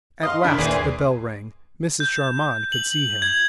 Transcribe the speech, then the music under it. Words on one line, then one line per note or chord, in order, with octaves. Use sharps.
At last the bell rang: Mrs. Charmond could see him.
D#5 F5 C6 D#6
D#3 D4 E4 B5
D#2 A#2 E3 C4 G#4
G6
F#7
G#6